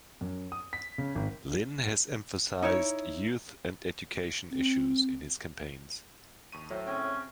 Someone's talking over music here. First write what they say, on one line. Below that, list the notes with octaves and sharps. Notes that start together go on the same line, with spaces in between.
Lin has emphasized youth and education issues in his campaigns.
F#2
D#6
B6
C#3
G#1
D#4 E4 C#5
C4
D#2 C#6 D#7
A2 F#3 C5
C#3 C4 C#4 G5